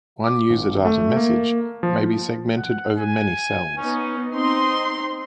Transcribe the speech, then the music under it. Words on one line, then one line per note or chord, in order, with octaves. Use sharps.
One user data message may be segmented over many cells.
D6
G#1
A3
A#3
F3
F#5
G#5
B3 C#4 D#4
C4 D#4 D#5 C6